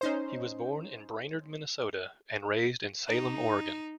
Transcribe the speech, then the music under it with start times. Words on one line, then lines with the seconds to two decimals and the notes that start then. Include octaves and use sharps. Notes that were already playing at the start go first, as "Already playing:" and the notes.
He was born in Brainerd, Minnesota and raised in Salem, Oregon.
0.01 C#4 D#4 C5
3.07 D#4